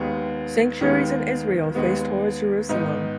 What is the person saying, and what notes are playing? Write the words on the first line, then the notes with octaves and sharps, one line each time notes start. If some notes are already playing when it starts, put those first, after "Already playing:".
Sanctuaries in Israel face towards Jerusalem.
Already playing: D#2 D#3 G#3 B3
D#2 D#3 G#3 B3
D#2 D#3 G#3 B3
G#2 D#3 B3 D#4